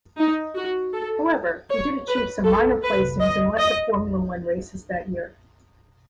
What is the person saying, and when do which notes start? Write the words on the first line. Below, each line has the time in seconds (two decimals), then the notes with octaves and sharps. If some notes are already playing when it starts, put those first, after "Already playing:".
However, he did achieve some minor placings in lesser Formula One races that year.
0.18 D#4
0.55 F#4
0.93 A4
1.69 C#5
2.08 B4
2.45 A4
2.83 B4
3.20 D#5
3.59 D#5